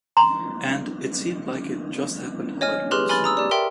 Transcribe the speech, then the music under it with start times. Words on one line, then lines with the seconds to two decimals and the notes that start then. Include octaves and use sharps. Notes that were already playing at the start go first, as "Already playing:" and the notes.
And, it seemed like it just happened all at once.
0.17 A#5 C6
2.61 C#5 D#5 G#5 F6
2.91 G4 G#4 B4 C6 F6
3.09 G#5 B5 C6 F6 A6
3.24 A#5 D#6 E6
3.37 G4 D5
3.51 A#4 E5 G5 C6